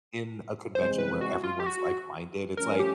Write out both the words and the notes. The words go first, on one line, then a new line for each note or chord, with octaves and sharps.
in a convention where everyone's like-minded, it's, like,
E2 C3 E3 G#3 C4 C5
B4
F#4
F4
G4
F#4
F3 A3 C#4 A#4
G4